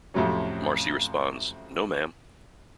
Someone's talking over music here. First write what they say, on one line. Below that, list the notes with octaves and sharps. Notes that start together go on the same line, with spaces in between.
Marcie responds, "No, ma'am".
F2 A2 C3 F#3 C#4